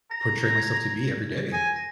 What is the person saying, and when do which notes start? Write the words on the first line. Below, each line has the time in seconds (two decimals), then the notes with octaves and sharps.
portray myself to be every day.
0.11 A#5 A#6
0.35 A#6
0.58 G#6
1.53 G#5 A#6
1.76 A#6